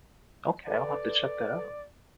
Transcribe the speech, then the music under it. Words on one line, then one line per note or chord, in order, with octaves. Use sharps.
Okay, I'll have to check that out.
A4 B4 D5